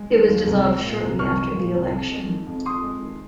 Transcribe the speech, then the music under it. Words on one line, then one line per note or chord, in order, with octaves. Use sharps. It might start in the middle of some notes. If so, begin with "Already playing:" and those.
It was dissolved shortly after the election.
Already playing: G#3
D#3
D#2
C2
G#3
A#2
C2
C2 C#6 F6
G#3
A#2
C2
F2
G#3
D#3
F2
F2 C6 D#6
G#3
D#3